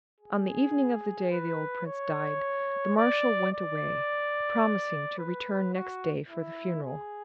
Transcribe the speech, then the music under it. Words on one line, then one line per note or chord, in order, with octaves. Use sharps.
On the evening of the day the old prince died the Marshal went away, promising to return next day for the funeral.
G#4
B4
C#5
D5
D5
B4
F#4
E4
G#4